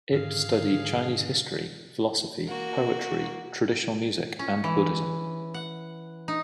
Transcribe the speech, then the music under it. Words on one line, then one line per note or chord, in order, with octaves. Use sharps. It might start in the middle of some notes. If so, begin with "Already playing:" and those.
Ip studied Chinese history, philosophy, poetry, traditional music, and Buddhism.
G#2 D3 D#3 G#4 F5
A#3 F#4
C#4
E3
F#5
D#4